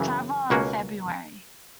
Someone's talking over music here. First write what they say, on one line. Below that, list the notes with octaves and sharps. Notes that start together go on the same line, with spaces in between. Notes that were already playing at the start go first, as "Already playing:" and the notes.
Tarver in February.
Already playing: F#2 C#3 E3
C#2 B2 A#3 C#4 F#4